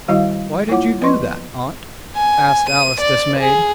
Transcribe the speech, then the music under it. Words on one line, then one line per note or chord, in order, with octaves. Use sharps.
"Why did you do that, aunt?" asked Alice, dismayed.
D#3 G3 E4 F#4 D#5 F5
A#3 E4 F4 C#5 F#5 D6
F3 B3 B4 D#5 C6 C#6
G#5
D#7
D5
G#4